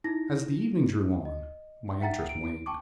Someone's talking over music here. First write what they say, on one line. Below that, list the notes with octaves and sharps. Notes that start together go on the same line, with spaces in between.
'As the evening drew on, my interest waned.
D#4 E4 A#6
D#5
E5 F#5 G5 A#5 A6
D7
G5 A5 C#6 D6